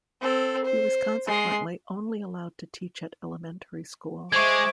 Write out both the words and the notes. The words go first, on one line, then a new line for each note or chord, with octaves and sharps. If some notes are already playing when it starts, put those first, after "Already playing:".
He was consequently only allowed to teach at elementary school.
C4 A4
C5
G#3 C6
G#3 C5 E5 C#6 D6 G#6